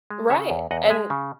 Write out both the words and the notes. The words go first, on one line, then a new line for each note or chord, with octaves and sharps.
Right, and
G#3
C#3 C#5 E5
E2
E2 D#5 F#5
G#3 E5 G#5
C#3